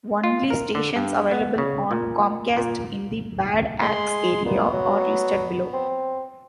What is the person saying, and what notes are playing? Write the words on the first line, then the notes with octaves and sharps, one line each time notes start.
Only stations available on Comcast in the Bad Axe area are listed below.
F4
A#4
D3
G2
B3
C#3
A#2
A#2
G#3 G#4 C6
A#2 B3
F#3
C4